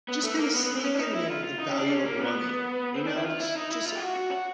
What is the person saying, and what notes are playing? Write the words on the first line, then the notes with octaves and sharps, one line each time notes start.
just kinda sneak in there the value of money, you know, j just,
B3
A3
A#3
B3
B3
C4
C#4
D4
D#4
E4
F4
F4
D#4
C#4
D4
C#4
A#3
B3
C4
D4
E4
F4
E4
D#4
E4
F4
G4
F#4
F#4
F#4